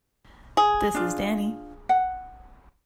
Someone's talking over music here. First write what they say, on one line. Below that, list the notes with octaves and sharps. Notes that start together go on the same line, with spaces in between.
This is Danny.
G#4
D4 F4
F#5